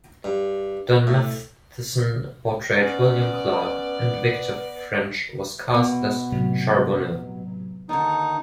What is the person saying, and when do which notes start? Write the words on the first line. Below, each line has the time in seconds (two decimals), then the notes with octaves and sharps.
Don Matheson portrayed William Clark, and Victor French was cast as Charbonneau.
0.24 G2
1.07 A2
2.78 B3 C#4 D5
5.74 B2
6.32 A2 C3 F#3
7.89 D#2 D3 D#4